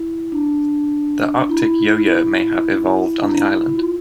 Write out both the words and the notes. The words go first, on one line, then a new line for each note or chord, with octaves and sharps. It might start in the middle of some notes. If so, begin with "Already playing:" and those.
The Arctic yo-yo may have evolved on the island.
Already playing: E4
D4
E4
D4
E4
F4